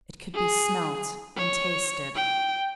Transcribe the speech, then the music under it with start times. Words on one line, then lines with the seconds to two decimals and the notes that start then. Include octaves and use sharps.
It could be smelt and tasted.
0.34 G#4
1.37 C#5
2.16 G5